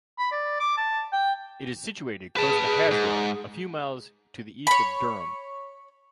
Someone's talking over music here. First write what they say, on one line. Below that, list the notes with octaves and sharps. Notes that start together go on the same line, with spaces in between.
It is situated close to Haswell, a few miles to the east of Durham.
B5
D5
D6
A5
G5
G#4 B4 A5
G#4
G#2
C#5 B5